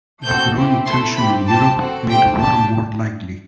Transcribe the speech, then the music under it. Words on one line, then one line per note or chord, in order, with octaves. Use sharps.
The growing tension in Europe made war more likely.
A3 C4 F#4 A4 G6
C4 E4 G4
A3 E4 A4 C6
C4 G4 B5
C4 G4 A5
C4 F#4 A4
A3 C4 G4 G5
D4 G4 A5